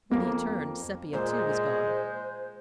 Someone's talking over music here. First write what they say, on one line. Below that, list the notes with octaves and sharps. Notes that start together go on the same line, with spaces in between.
When he turned, Sepia too was gone.
F2 A#3 B3
A#2 G#3 C5